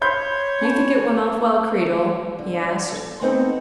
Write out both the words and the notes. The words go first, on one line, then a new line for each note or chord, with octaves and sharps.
"Do you think it went off well, Creedle?" he asked.
C5 C#5 B5 C6 G6
C#4 C5 A5
D3
A4
A3 B3 C4 D#4 G#4 A4